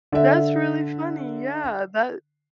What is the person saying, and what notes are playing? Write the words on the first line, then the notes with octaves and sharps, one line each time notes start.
That's really funny, yeah, that
D3 E5